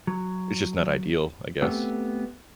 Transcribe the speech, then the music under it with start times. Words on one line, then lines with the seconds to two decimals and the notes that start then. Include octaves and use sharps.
it's just not ideal, I guess.
0.07 F#3
1.62 A3 B3 C4 G4 A4